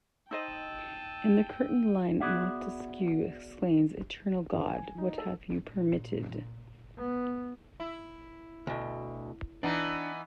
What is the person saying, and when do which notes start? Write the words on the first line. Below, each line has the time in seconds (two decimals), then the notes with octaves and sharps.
In the curtain-line Montesquieu exclaims Eternal God, what have you permitted!...
0.31 D#4 C5 D#5 G5 A5 E6 D#7
2.20 B3 F#4 G#4 D5 E5 F#5
4.53 G1
4.68 G#5
4.98 D#4
5.18 A4
5.65 A#2
6.98 B3
7.80 E4
8.67 D2 B2
9.63 E3 B3 D4 D#4